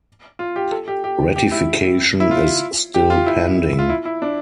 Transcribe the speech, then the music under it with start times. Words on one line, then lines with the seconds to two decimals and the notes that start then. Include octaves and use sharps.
Ratification is still pending.
0.39 F4
0.56 G4
0.72 A4
0.88 G4
1.04 G4
1.36 G4
1.51 E4
2.20 E4
2.31 F4
2.94 G4
3.10 F4
3.26 E4
3.79 F4
3.89 E4
4.05 E4
4.22 D4